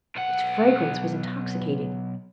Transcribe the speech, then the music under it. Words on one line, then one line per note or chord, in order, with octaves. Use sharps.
Its fragrance was intoxicating.
B1 F#5